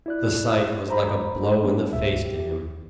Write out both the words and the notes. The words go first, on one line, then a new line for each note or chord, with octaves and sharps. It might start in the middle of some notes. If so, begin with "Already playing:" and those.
The sight was like a blow in the face to him.
E4 D5 F#6
C5 A#5 B5
G3 A3 B3 D4
C#2 G2 B2 E5
G4
D#2